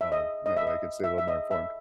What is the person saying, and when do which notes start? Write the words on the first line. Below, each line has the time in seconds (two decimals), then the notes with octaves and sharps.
Um, that way, I could stay a little more informed.
0.01 E5
0.12 D#5
0.46 D#5
0.57 E5
0.67 D#5
1.04 E5
1.18 E5
1.28 D#5
1.51 E5